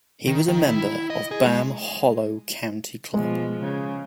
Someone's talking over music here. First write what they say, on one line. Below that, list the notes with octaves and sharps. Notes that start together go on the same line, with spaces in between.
He was a member of Bamm Hollow Country Club.
D#3
D#3
E4
D#5
G#4
G#3
B2 F3 G#3
C#3